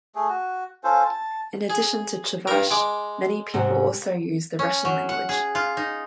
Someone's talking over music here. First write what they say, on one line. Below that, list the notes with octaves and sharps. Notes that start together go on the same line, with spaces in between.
In addition to Chuvash, many people also use the Russian language.
A3 G#4
F#4
C#4 F4 A4 C5
A5
G#4
G2 A#4
G#3 D6
G#2 C3 F#4
C#4
F#3
F#5
G#4
F4
D#4